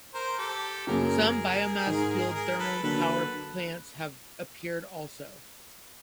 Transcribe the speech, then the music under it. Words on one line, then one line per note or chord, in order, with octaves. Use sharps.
Some biomass-fueled thermal power plants have appeared also.
A#4 C5
G4 A4
F#2 C#3 F#3 A#3 G#4 A#4
G#2 D#3 G#3
G#4 A#4
A4 B4
D3 F#3 A#3 A4 B4